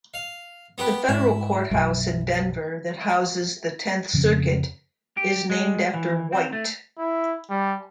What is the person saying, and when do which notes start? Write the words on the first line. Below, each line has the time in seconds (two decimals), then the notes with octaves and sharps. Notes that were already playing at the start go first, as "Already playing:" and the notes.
The federal courthouse in Denver that houses the Tenth Circuit is named after White.
0.14 F5
0.78 B3 G4 B4
1.09 G#2 E4
1.71 B1 F#2
4.13 F2 C#3
5.17 G4
5.50 G#3
5.94 E3
6.32 C4
6.52 A3
6.98 E4
7.50 G3